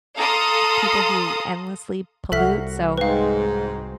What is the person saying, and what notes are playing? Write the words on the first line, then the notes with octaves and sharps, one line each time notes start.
people who endlessly pollute, so
A4 F5 A#5 C6 D#6
C2 F#4 A4 E5 F5 B6
G#2 G#3 C4 B4 F5